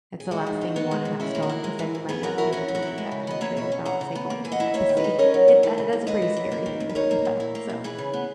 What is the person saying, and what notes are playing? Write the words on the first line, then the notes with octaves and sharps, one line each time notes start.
it's the last thing you wanna have stolen, 'cause then you might not be able to leave that country without, say, going to an embassy, it that that's a pretty scary thing to think about, so,
G#4
G#3 F#4
D#3
D#4
B3 F#4
G#3
B2
C#4 E4 G#4
A#3
F#4 A#4
E4
G#3
E3
G#2
B3 G#4 B4
F#3 F#4 A#4
E4 F#4 A#4
C#4 F#4 A#4
F#3
F#4 A#4
E4
G#3
C#3
B3 D#5
A#3 C#5 E5
B2 C#5 E5
C#4
E3 F#5 A#5
C#3
B3
A#3
E3 G#5
D#5 F#5
E4
A#3 C#5 E5
D#3
B4 D#5
D#4
C#4 A#4 C#5
F#3
G#2
E3
C#3
D#2
G#3 B4 D#5
E3
F#2
A#3
D#3
D#2
B4
D#4 A#4 C#5
A#3
A#2
E4
A#3
B2
E3 G#4 B4
C#3
B3